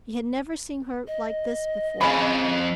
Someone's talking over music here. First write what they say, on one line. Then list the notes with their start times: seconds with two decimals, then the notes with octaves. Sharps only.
He had never seen her like this before.
1.07 D#5
2.01 F2 C#3 B5